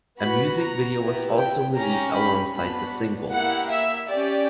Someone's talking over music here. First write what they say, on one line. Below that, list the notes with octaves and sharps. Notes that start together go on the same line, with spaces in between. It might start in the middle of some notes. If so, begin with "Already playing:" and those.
A music video was also released alongside the single.
B3 F#4 B5
A#5
B3 E4 G4
G5
C#4 G4 A#5
B5
B3 D4 F#4 B5
A#3 E4 G4 F#5
E5
C#4 G4 D5